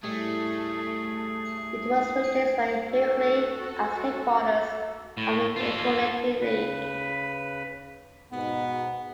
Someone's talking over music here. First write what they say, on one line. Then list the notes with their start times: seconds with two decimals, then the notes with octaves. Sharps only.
It was replaced by Heraclea as headquarters of the Italiote League.
0.04 A2 G3 A3 G#4
2.89 F#4 A4
5.17 A2
5.56 F4 A4
6.41 C#3 B4
8.32 G#2 B2 B3